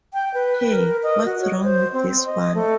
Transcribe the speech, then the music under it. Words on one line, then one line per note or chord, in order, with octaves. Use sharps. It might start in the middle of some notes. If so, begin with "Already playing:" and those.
Hey, What's Wrong with This One?
G5
B4
A#4
D#5
F#4
C#5
C5
C4
D#5
A3